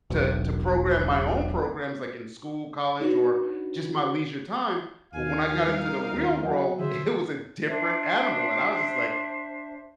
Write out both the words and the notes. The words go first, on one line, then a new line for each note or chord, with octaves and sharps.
to to program my own programs, like, in school, college, or just my leisure time, but when I got into the real world, it was a different animal, and I was just like,
E1 B1
D4 D#4 F#4 B4 C#5
D#2 F5 G#5
G3 D#4 A#4
D#2
F#3 D#5 F#5
D3 E3 G#4 C5 E5
D4 C5 E5